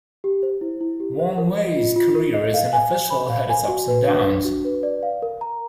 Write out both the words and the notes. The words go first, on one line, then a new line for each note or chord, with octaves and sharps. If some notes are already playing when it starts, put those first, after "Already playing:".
Wang Wei's career as an official had its ups and downs.
G4
C5
E4
E4
G4
C5
A#4
D#5
F4
F4
A#4
D#5
F5
G#5
C5
B5
F5
G#5
F#4
B4
D4
D4
F#4
B4
D5
F5
A#4
A#5